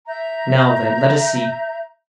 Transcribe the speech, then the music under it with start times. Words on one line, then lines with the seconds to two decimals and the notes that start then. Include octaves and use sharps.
Now, then, let us see.
0.07 E5 A#5 G6